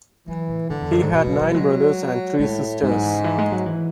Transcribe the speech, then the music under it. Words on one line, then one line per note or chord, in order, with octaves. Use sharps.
He had nine brothers and three sisters.
E3 F#3
A2
G#2 D3
E2
F#2
G#2
B2 E3
F#3
F#3
F#3 G#3
A2 G#3
G#2 G#3
F#3
E3
C#3
E3
G#3
F#3
E3